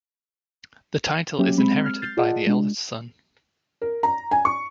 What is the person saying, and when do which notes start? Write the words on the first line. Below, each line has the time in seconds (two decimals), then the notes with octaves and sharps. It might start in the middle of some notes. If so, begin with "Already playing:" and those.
The title is inherited by the eldest son.
1.39 F#3 A#3 C#4 G4 E5
1.58 G#3 C4 B5
1.85 F6
2.02 F6 G6 A6 C7
2.17 F4 G#4 D5 D#5 F#5 A5
2.47 G#3 D4
3.81 A#4
4.03 A#5
4.31 G#5
4.45 C#6